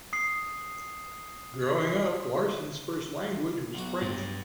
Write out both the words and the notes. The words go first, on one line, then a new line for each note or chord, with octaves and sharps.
Growing up, Larson's first language was French.
D#6 C7
B1 F#4
G2